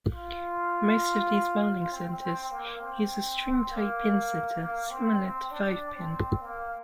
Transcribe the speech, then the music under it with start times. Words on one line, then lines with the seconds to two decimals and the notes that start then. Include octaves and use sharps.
Most of these bowling centers use a string type pinsetter similar to five pin.
0.10 F4
1.91 C4
2.21 C4
2.51 A#3
2.81 C4
3.71 A#3
4.61 A#3
4.90 C4
5.20 C4
5.51 D4
5.96 C4
6.41 A#3